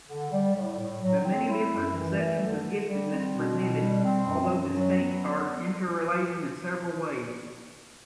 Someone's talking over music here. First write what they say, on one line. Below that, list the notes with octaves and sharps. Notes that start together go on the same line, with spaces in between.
The many different conceptions of giftedness presented, although distinct, are interrelated in several ways.
D3
G3
A2
A2
F#3
C4
E4
F#2
E3
A3
D3
D3
G3
C4
B2
B2
G3
C4
F#2
F#2
F#3
B3